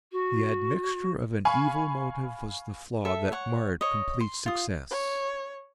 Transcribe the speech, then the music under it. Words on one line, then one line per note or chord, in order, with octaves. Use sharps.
The admixture of an evil motive was the flaw that marred complete success.
F#4
F5 G#5 B5 C#6
A4 E5
C#5 F#5
C#5 D#5
C6
F4 D#6
C#5